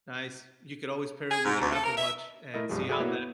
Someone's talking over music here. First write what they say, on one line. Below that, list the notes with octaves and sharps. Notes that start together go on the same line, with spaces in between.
Nice. You could always pair it with your Apple Watch and see how that
G#4
G#2
D2
A4
A#4
E5
A3 E4 A#4 D#5
B1 G2 F3 G3 G#3
F#4 G#4 A4 D5 B5
A#3 B3 E4 F#4 C#5
B3